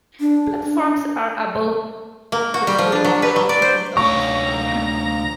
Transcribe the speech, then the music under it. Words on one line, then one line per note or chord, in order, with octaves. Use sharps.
Platforms are above the street level ticket office.
D4
A#3
F#4
G3
F3
D4
F#3
B4
F#3
D5
C5
D2 C#4 F5 A#5 C#6